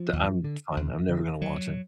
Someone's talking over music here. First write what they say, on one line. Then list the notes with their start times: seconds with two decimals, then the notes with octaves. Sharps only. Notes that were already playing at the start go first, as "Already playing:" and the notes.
D I'm fine, I'm never gonna watch it.
Already playing: F3
0.13 D#2
0.44 D3
0.77 D#2
1.09 D3
1.42 D2 F#3